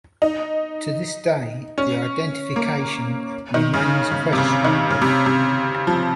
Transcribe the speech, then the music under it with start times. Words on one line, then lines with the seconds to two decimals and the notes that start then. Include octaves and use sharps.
To this day, the identification remains questionable.
0.22 D#4
1.78 C#4
2.56 A#3
3.54 D#3
3.74 C#3
4.12 C#3
4.33 C3
4.38 C#3
4.64 D#3
4.90 C#3
5.02 C3
5.26 C3
5.87 F3